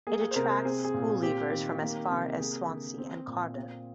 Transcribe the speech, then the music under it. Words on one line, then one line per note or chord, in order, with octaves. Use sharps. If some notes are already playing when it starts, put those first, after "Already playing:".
It attracts school-leavers from as far as Swansea and Cardiff.
A#3 G#4
G#4
C5
C3 A#4
C5
C4 G#4
G#4
A#2
C4 G4
D#3
A#3
C3
A#3 G#4
D3
C4
A#2
C4